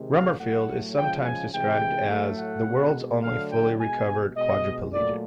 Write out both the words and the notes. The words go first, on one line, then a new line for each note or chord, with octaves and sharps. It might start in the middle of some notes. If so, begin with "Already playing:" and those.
Rummerfield is sometimes described as "the world's only fully recovered quadriplegic".
Already playing: C3 D#3 G#3
F5
A2 F#3 A3 F#5
C#3 F3 G#3 G5
G#5
C3 E3 G#3 G5
A2 F#3 A3
F#5
B2 G#3
D3 F#3 A3 F5
G5
B2 G#3 G#5
B2 G#3 D#5
A#2 F#3 A3 D5